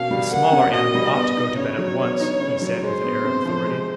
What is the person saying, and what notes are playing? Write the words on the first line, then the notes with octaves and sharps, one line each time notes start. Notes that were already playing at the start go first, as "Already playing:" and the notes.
"The smaller animal ought to go to bed at once," he said with an air of authority.
Already playing: B2 A#3 C#4 F5
G3
A#3 F#5
C#4
B2 D#5
G3
B3
D#4
C#3 C#5
F#3
B3
D#4
C#3
F#3
G#3 C5
B3
C3
F3
G#3